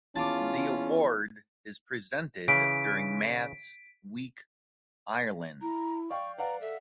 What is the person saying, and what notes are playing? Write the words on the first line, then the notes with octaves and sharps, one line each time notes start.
The award is presented during Maths Week Ireland.
E2 C#4 F4 A5 D6
C#3 E3 B6 D7
E4 A#5
D5 F5 G5 C#6
B4 D5 F5 F#5 A#5
A4 E5